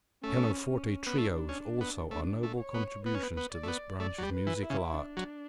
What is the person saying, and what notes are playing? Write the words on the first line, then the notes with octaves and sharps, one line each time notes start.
His pianoforte trios also are noble contributions to this branch of musical art.
A3 C#4
C#4
B3
A3 D4
C#4
B3
A3 D4
A3
C#5
B3
B3 B4
C#4
B3
B3
D5
A3
B3
A3 D5
F#3
G3
B4
E3
E4
C#3
D4
F#3